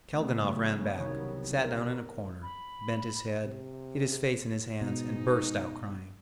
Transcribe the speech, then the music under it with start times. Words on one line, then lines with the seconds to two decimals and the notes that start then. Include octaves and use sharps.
Kalganov ran back, sat down in a corner, bent his head, hid his face in his hands, and burst out crying.
0.15 C#3 F#3 A3 B3
0.97 C2 C3 D#3 C#5
1.64 A#4
2.43 B5
3.45 C3
4.81 G#2 B2 D#4